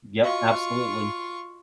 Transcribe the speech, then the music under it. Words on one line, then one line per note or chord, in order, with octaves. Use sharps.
Yup, absolutely.
F4 F#4 D#5 F5 C#6